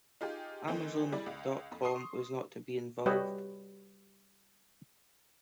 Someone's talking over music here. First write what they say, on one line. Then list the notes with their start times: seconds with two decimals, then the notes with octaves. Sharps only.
Amazon dot com was not to be involved.
0.21 D#4 F4 G4 G#4
0.68 D#3 E3 A3 C4
1.12 G3 E4 G#4 D5
1.26 C#2
1.71 F2
1.83 C6 C#6 D#6 C7
3.06 G3 F#4 B4 C#5 D#5 G5